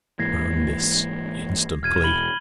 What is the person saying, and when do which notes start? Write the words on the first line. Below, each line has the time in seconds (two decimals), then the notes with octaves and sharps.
Burn this instantly.'
0.19 G#2 E3 A#3 G#6 A#6 C7
1.83 E1 F6 G#6 D#7
2.04 B5 F#7 G7